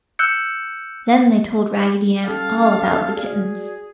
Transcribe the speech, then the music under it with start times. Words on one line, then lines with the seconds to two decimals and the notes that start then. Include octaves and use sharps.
Then they told Raggedy Ann all about the kittens.
0.19 E6 F#6 G6 C#7
2.25 G3 C#4 G4 A4 F5
3.14 F#4 G#4 D5